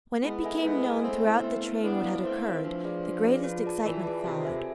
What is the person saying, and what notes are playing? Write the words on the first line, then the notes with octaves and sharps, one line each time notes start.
When it became known throughout the train what had occurred, the greatest excitement followed.
G#3 B3 E4
A4 E5 G#5
G#3 B3 E4
A4 E5 G#5
A3 B3 C4
E4 B4
B3
E4 B4
B3 D4 E4
B4 F5
A3 C4 E4
B4 F5
F3 D4
G#4 B4 D5
D4
G#4 B4 D5
F4
G#4 D5 A5
E3 F4
G#4 D5 A5
C3 F4
A4 E5 G#5